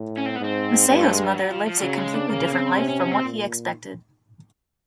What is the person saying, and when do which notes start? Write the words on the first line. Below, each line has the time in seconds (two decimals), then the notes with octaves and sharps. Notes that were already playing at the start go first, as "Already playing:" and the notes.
Masao's mother lives a completely different life from what he expected.
Already playing: A2
0.18 C#4
0.26 C4
0.36 B3
0.41 G#2 C4
0.89 G2 B3
1.00 A3
1.11 G#3
1.24 G3
1.35 F#3
1.51 F3
1.67 F3
1.77 G3
1.82 C#3 F#3
1.97 G#3
2.14 D4
2.29 C#3 A#3
2.53 C4
2.76 C3 C#4
2.88 C#4
3.00 C#4
3.11 C4
3.24 A#2